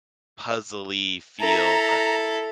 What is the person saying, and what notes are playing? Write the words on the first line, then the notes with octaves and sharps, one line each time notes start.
puzzle-y feel but,
E4 A4 A#5